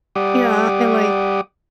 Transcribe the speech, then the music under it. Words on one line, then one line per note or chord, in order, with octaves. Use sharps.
Yeah, and, like,
G3 G4 D5 F#5 D6 D#6